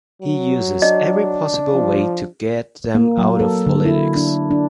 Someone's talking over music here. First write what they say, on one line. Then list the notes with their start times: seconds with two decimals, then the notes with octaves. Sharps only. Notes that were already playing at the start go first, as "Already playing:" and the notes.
He uses every possible way to get them out of politics.
0.22 F#3
0.82 D4 D#5
1.74 F3
2.95 A#3
3.18 F#3
3.40 A4
3.67 D3
3.85 E4
4.16 D4
4.51 D4